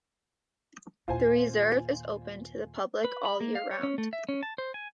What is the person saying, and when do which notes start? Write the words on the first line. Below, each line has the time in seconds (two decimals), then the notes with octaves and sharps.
The reserve is open to the public all year round.
1.08 D#2 A#2 F4 C5 G#5
3.05 B4
3.25 B5
3.40 A#3
3.55 F5
3.71 C#5
3.83 C#4
3.98 A3
4.13 E5
4.29 C#4
4.43 A5
4.58 C5
4.74 G#5